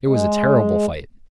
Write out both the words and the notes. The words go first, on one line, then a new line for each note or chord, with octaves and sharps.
It was a terrible fight!
G#3